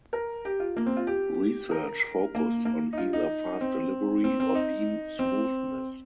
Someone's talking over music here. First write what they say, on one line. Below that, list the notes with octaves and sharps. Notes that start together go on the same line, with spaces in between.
Research focused on either fast delivery or beam smoothness.
A#4
G4
F4
A#3
C4
F4
G4
A#4
A#3
A#3
D#4
F4
D#4
C4
C4
C4
D#4
C4